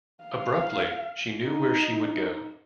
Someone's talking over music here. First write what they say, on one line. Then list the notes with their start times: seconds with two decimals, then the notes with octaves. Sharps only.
Abruptly she knew where she would go.
0.23 F5
1.45 D#4